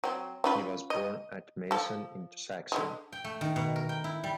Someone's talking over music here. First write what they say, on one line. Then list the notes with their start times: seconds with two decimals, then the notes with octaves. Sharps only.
He was born at Meissen in Saxony.
0.04 F#3 C4
0.44 C#4 F4 B4
0.90 D#5
1.71 F3 A4
2.72 D3 F3 G#3
3.12 G5
3.24 A3
3.41 D#3
3.56 B2
3.76 A#4
3.89 G5
4.04 E4
4.24 G3